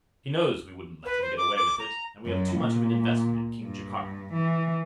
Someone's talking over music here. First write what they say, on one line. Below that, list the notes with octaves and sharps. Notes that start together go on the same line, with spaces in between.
"He knows we wouldn't let him get away with it. We have too much of an investment in King Jaikark."
B4
C5
D6
D6
A#5
F#2
A#2
G2
E3